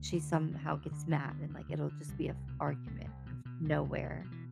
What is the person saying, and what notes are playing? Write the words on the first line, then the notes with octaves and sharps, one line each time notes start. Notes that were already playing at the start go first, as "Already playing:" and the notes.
she somehow gets mad and, like, it'll just be a f argument out of nowhere,
Already playing: D2
D3
D3
D2 C4
D2
D3
D3
C4
D2 B3
D2
D3
D3
C2 G3
C2
B2
B2
C2 A3
C2
B2
B2
C2 G3
C2
B2
B2 F#3
E3